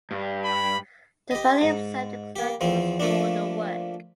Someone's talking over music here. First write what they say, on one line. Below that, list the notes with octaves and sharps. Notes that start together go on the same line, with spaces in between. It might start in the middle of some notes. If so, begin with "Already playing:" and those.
Dobell himself declined to restore the work.
G2
B5
G4 D#5
G#2
A#3 G4
E2 F3 C4
F3 A3 A#3 D4